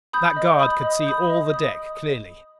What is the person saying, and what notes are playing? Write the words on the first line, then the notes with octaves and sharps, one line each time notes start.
That guard could see all the deck clearly.
B5 D#6 G6
D#5
B5 D#6 G6
D#5
B5 D#6 G6
D#5
D#6